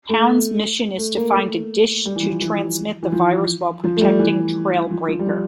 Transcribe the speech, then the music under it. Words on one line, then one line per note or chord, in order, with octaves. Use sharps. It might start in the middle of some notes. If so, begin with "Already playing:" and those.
Hound's mission is to find a dish to transmit the virus while protecting Trailbreaker.
A3
A3
A#3
A3
G3
E3
F3
E3
E3
F3
F3
A3
G3
E3
F3
F3
G3
F3